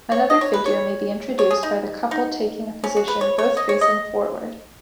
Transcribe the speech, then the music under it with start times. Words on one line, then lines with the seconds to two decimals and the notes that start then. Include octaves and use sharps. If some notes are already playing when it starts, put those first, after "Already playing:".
Another figure may be introduced by the couple taking a position both facing forward.
0.12 C#5
0.30 D#5
0.41 C#5
0.53 B4
0.66 C#5
1.39 C#5
1.51 G#4
1.63 D#4
2.11 D#4
2.84 C#4
2.97 F#4
3.08 B4
3.21 C#5
3.38 C#5
3.57 D#5
3.69 C#5
3.81 D#5